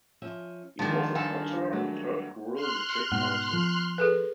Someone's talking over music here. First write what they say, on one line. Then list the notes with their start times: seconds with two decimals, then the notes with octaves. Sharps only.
He was a councillor on Thirsk Rural District Council.
0.22 F3 C#4 E5
0.79 D#3 F3 G#3 D4 A5 A6
1.15 G2 A4 F5 G#5 A5
1.73 F#3 G#3 A3
2.55 C6 F6 F#6
3.12 G#2 B2 B3
3.53 F3
3.98 G#4 A4 B4